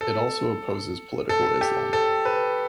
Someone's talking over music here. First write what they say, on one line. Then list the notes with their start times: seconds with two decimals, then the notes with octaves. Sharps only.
It also opposes political Islam.
0.01 A4
1.29 A4
1.61 G4
1.93 A4
2.25 B4